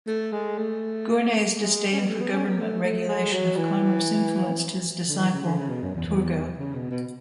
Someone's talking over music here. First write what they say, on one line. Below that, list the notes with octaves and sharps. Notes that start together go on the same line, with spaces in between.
Gournay's disdain for government regulation of commerce influenced his disciple Turgot.
A3
G#3
A3
G#3
C#4
B3
A3
B3
C#4
B3
A3
A3
G#3
F#3
E3
D3
E3
C#3
D3
C#3
B2
F#2
E2
E2
C#3
B2
B2